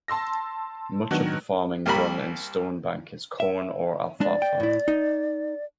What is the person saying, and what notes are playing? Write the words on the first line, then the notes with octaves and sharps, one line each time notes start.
Much of the farming done in Stone Bank is corn, or alfalfa.
A5 C6 E6 A#6
D#3 F#3 B3 D4 F#4
C2 G3 A#3 A#4 B5
E5
G#3 D4 D5
G5
A2 E4
D#4